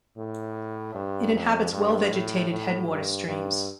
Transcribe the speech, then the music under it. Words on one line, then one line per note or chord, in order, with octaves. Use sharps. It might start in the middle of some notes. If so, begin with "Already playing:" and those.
It inhabits well vegetated headwater streams.
A2
G2
F2
G2
A2
A2
G2
G2